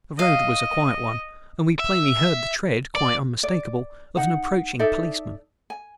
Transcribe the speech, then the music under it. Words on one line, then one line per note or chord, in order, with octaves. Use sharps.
The road was a quiet one, and we plainly heard the tread--quite unmistakable--of an approaching policeman.
D#5 F5
E5
D5
D5
D#4 F#5
D#4 A4 D5 E5
G#5